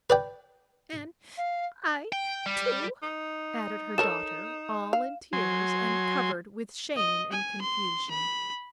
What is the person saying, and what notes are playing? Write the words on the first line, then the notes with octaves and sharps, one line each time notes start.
"And I too," added her daughter, all in tears and covered with shame and confusion.
B4 D5 G5
F5
G5
G3
D#4
A4 A#4 C#5 E7
F5
F#3 G#5 C6
D#5
G#5
C6
B5